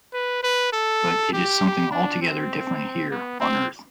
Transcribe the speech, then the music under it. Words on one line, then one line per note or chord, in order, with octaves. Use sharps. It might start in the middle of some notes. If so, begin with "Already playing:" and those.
But it is something altogether different here on earth...
B4
B4
A4
G4
D4
C4
B3
C4